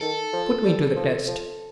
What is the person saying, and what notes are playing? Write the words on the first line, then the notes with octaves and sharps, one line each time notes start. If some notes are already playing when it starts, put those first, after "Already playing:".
"Put me to the test."
D#3 A4
F3
G3
F3
F3